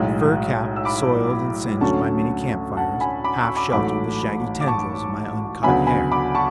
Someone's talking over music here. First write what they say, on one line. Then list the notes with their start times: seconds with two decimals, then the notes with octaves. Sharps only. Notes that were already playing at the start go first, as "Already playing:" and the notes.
A fur cap, soiled and singed by many camp-fires, half sheltered the shaggy tendrils of my uncut hair.
Already playing: B1 A2 G#3
0.76 E6
0.85 B5 D6
1.80 D2 D3 F#3 A3 C#4 A5 C#6
2.77 F#5 A5
3.01 G#5 B5
3.24 B5 D6
3.40 C#6 E6
3.57 B5 D6
3.72 A1 G#2 F#3 A3 B5 D6
4.61 D6
4.67 A5 C#6
5.63 D2 C#3 F#3 B3 D4 G#5 B5
5.87 G#5 B5
6.11 B5 D6
6.35 A5 C#6